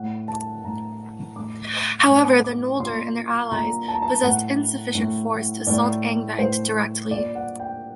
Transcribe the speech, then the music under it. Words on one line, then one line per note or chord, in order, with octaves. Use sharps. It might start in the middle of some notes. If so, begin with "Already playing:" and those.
However, the Noldor and their allies possessed insufficient force to assault Angband directly.
Already playing: A2 F#5
A5
A2 A#5
A2 D6
A2
D6
A#2 C6
A#2 A#5
A5
A#5
A5
A2 F#5
A2
A2 D5
A2 C5
A#2 D5
F#5
G5